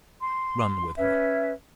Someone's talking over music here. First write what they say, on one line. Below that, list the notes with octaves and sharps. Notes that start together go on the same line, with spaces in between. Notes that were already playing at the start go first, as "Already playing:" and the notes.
Run with her.
C6
C#4 B4 E5